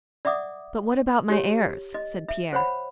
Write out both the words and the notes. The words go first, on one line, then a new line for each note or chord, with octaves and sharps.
"But what about my heirs?" said Pierre.
D5 E5 F#5 D6 D#6
G4 C#5
D#5
E5
C5 C#5 F#5 B5